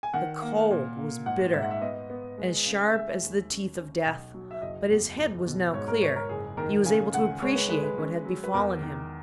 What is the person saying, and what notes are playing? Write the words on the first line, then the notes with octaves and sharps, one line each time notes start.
The cold was bitter, as sharp as the teeth of death; but his head was now clear, he was able to appreciate what had befallen him.
G#5
D#3 F#5
A#3
A#2
A#3
G#1 F#5
G#2 E5
F#5
E5
B3 D#5
B3
G#3
C#3
G#3 E5
D#2
C#4
C#4
B1
F#3
E5
F#1 D#5
E2
F#1
B2
G#2 C#5
A#4
G#2 C#5
A#4
F#1 G#4
D#3 A#4
C#3 G#5
C#2 F#5
G#3 C#5
B4
G#3 B4
B4
C#4
F#3
B4
E2 A#4
D#3